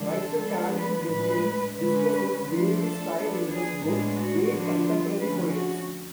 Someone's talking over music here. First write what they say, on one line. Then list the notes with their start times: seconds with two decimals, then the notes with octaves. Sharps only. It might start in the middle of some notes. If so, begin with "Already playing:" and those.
Writer Calvin Bedient discusses Davie's style in his book "Eight Contemporary Poets".
Already playing: D3 F3 G#3 D4
0.09 A4
0.42 F3 G#3 B3 D4 A4
0.76 B4
1.10 A2 G#3 D4 B4
1.78 D3 G#3 C#4 B4
2.46 F3 A3 D4
2.80 A4
3.14 F3 B3 D4
3.47 G#4
3.82 A2 G#3 B3 D4
4.16 F#4
4.50 D3 F3 B3 D4
4.83 F4
5.18 D3 F3 A3 C#4 B4
5.52 F#4